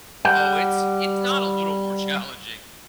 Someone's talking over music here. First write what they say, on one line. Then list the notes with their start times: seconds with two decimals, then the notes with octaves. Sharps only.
Oh, it's it's not a little more challenging.
0.25 G3 F#5 G5